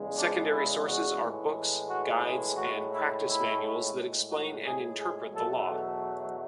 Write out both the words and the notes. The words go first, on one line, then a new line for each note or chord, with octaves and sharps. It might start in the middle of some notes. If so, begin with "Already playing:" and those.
Secondary sources are books, guides, and practice manuals that explain and interpret the law.
Already playing: E2 C#3 G#3
D4
E4
F#4
A2 E3 G#3
F#4
G#4
A2 G#3 F#4
E4
E4
A2 G#3
F#4
G#4
G#4
E2 B2 F#3 A3 A4
A4